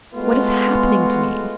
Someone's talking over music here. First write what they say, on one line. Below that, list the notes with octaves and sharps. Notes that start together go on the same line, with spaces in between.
What is happening to me?
G#3 A3 B3 F4 F#4